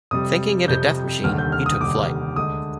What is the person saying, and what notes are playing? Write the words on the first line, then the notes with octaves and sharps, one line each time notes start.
Thinking it a death machine, he took flight.
F2 C3 G3 D#6
F2 C3 G3 G6
F1 D#2 D3 G3 F6
G6
F6
D#6
F1 D#2 D3 G3 D6
D2 D3 G#3 D#6